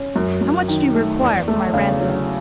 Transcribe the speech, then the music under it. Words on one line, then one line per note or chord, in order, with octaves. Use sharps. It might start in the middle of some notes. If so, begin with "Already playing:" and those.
"How much do you require for my ransom?"
Already playing: C#4
F#2
F#2
D#3
A3
E2
A3
C#3
F#3